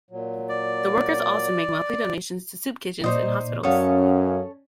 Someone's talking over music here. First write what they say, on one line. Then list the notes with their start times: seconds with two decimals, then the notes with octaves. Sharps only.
The workers also make monthly donations to soup kitchens and hospitals.
0.11 A#2 F#3
0.49 D5
3.04 A#2 D#4 C5 D5 D#5
3.63 F#2 C#4 A4 C#5 F5 F#5 D#6